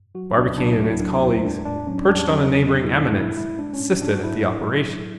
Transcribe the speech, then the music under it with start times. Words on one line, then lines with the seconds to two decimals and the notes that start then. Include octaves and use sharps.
Barbicane and his colleagues, perched on a neighboring eminence, assisted at the operation.
0.15 F#3 F#4
0.37 C#2 D4
0.58 F#3 D4
0.68 E4
0.79 D2 F#4
0.90 E4
1.01 F#3 D4
1.22 E2 E4
1.44 G#3 D4
1.65 A2 D4
1.87 F#3 C#4
1.98 D4
2.08 E2 D4
2.20 D4
2.29 F#3 C#4
2.51 E2 C#4
2.73 A2 D4
2.84 E4
2.94 G#3 D4
3.05 D4
3.16 G#3 E4
3.37 A2 E4
3.59 G#3 D4
3.73 C#4
3.80 A2 D4
4.02 G#2 D4
4.14 F#4
4.23 F#3 E4
4.45 A2
4.66 F#3
4.88 A2